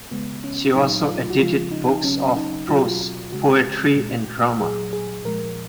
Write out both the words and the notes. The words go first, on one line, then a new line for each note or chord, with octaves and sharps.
She also edited books of prose, poetry and drama.
C#3 G#3 B3
C#4
A#2 F#3 D#4
F4
F#4
C#3 F3 G#3 F4
D#4
D#4
C#3 F#3 C#4
D#4
B2 F#3 F4
F#4
F4
C#3 G#3 F#4
A#2 G#3
A#2 F#3 G#4
G#4
A#2 F3 G#3 A#4